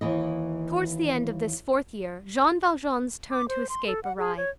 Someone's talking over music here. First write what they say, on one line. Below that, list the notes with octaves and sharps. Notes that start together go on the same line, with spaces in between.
Towards the end of this fourth year Jean Valjean's turn to escape arrived.
D#2 E3 D#5
D6
C5
C6
A4
F#5
G#4
C#5